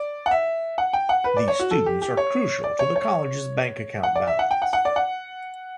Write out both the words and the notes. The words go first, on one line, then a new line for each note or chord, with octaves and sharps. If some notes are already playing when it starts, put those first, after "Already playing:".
These students are crucial to the College's bank account balance.
Already playing: D5
F#5
E5
F#5
G5
F#5
B4
D5
C#5
F#4
A4
G4
G4
C#5
D5
C#5
C#5
F#5
D5
E5
F#5
G5
F#5
F#5
D5
F#5